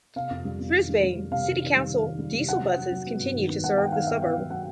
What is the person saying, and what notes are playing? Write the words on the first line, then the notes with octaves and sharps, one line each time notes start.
Brisbane City Council diesel buses continue to serve the suburb.
C3 F5
F2
G3
F2
D#3
G3
G3
G3
C3 F5
D#3
D#3
G3
D#3
D#3
G3
C3
F#3 F#5
F#3
F#3
F#3
B3
G2
D#3
B3
G2 F#5
D#3 G5
D#3 F5
B3 E5
B3 F5
F#3
F#3 F#5